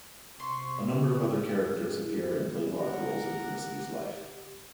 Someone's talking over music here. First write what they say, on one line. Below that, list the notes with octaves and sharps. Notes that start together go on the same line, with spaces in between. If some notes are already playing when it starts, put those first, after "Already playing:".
A number of other characters appear and play large roles in Felicity's life.
C3 C6 C#6
A#4
G#4
E4
C5
E3
G4 A#4 F#5